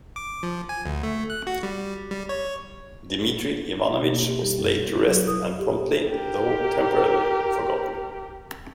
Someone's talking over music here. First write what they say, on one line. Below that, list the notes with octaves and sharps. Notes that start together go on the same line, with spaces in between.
Dmitry Ivanovich was laid to rest and promptly, though temporarily, forgotten.
D6
F3
G#5
D2
A3
F#6
F#4
G3
G3
C#5
B2
A#3
G4
G3
F#2
E4
F#3
D#6
G4
G4 A#4